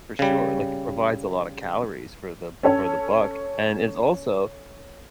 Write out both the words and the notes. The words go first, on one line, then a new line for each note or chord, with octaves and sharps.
for sure, like, it provides a lot of calories for the for the buck, and it’s also,
C#3 G3
C#4 A4 C#5